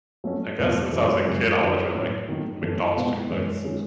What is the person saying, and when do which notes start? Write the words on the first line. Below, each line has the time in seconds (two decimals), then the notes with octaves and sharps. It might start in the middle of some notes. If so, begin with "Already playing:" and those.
I guess since I was a kid, I always really liked McDonald's chicken nuggets
0.24 F#3 A3 C#4
0.58 E2 B2 F#3 A3
0.92 F#2 E3 G#3
1.26 F#2 C#3 G#3 C#4
1.60 F#2 D#3 F#3
1.94 A2 F#3 C#4
2.29 D#3 F#3 A3
2.62 F#2 E3 A3 E4 A4
2.97 B2 G#3 B3 E4
3.30 F#2 E3 G#3 C#4
3.64 D#3 G#3 C#4